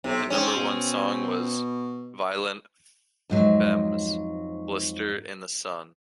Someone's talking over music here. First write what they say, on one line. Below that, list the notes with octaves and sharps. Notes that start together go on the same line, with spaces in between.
The number one song was Violent Femmes' "Blister in the Sun".
B1 C3
G#2 C4 C#4
B2
F2 G#2 F#3